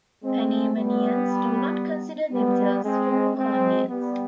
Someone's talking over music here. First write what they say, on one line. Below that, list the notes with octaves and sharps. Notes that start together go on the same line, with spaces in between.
Panamanians do not consider themselves former Colombians.
G#3 C4
G3 B3
G3 B3
G#3 C4
G#3 C4
G3 B3